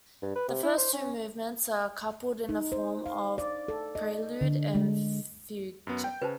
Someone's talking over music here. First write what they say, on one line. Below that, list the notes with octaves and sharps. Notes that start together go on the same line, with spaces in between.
The first two movements are coupled in a form of prelude and fugue.
G2
B4
C3
E4
C5
C#4
D#4
C5
F5
D5
A4
D#5
D3
G#3
F#2 B3
G5
C#3 B4 C5 A5